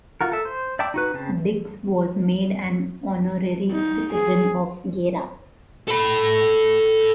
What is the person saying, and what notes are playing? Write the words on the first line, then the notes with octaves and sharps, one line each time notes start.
Dix was made an honorary citizen of Gera.
F4 F#4 A#4
A4 E5
C5
D5 E5 G5 A5 D6
D#4 F#4 B4
C#3 C4 A5
D#4
G#4
A4 B5